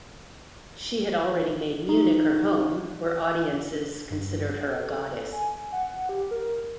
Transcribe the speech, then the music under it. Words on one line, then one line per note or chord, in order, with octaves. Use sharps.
She had already made Munich her home, where audiences considered her a goddess.
D#4
G2
A4
G#5
F#5
G4
A#4